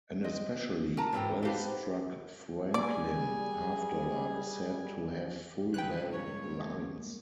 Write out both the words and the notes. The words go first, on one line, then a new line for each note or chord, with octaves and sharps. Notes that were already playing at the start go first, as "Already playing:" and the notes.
An especially well-struck Franklin half dollar is said to have full bell lines.
C4 D#5
F#4 A#4 A5 A#5
G#2 E3 F#3 G3 A4 G5
B3 C4 D#4 G4 A4 B4 F5
G3 G#4 D5 G#5
C#2 B4 G5 F#6
G2 G#3 A#3 C#5